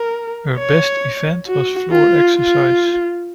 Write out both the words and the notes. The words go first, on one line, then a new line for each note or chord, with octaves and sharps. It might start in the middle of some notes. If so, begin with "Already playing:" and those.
Her best event was floor exercise.
Already playing: A#4
C#5
F#4
F4
F4